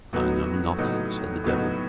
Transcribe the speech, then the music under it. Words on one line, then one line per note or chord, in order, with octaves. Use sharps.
"I know not," said the devil.
A2 F#3 B3 D#4 F#4
A2 F#3 B3 D#4 F#4
A2 F#3 B3 D#4 F#4